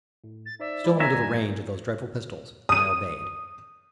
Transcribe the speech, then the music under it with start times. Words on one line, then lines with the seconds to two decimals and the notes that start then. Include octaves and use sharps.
Still under the range of those dreadful pistols, I obeyed.
0.24 A2
0.46 A6
0.60 D#4 C5 D5 E5
0.84 E3 G#3 E4 D5
1.00 F#3 B3 C#5 E5 G#5 A#5
1.12 F2 G#2 B3 D5
2.69 D#6 D#7